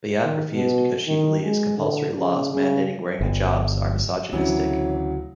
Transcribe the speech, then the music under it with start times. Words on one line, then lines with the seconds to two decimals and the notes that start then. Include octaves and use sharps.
Bayat refused because she believes compulsory laws mandating wearing hijabs are misogynistic.
0.24 D#3
0.53 B2
1.07 D#3
1.44 G#3
1.77 D3
2.17 C#3
2.53 C#3
3.20 G1
4.33 D2 C#3 E3 F#3 D4 C#5